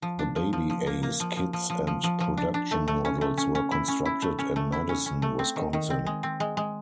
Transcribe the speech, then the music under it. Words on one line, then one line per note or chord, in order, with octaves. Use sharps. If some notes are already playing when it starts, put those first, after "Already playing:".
The Baby Ace kits and production models were constructed in Madison, Wisconsin.
F3
D4
F3
F3
F3
A#3
A#3
F3
F3
F3
F3
F3
F3
F3
D4
D4
A3
A3
C#4
A3
C#4
C#4
E4
C#4
E4
A3
C#4
A3
E4
C#4
C#4
A3
C4
D#3
D#3
C4
G#3
C4
G#3
G#3